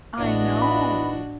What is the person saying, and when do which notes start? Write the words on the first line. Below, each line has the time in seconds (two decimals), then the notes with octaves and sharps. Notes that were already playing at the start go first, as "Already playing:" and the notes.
I know.
0.18 A1 B3 D4 E4 F#4 D#5
0.62 B5